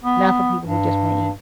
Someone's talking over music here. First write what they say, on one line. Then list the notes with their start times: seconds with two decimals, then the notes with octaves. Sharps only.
not for people who just wanna eat.
0.03 B3
0.67 G2